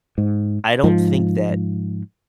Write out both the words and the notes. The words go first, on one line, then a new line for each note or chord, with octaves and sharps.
I don't think that
G#2
G#2 F3